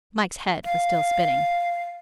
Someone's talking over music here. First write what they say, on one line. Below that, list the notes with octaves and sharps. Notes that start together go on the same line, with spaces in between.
Mike's head was still spinning.
F5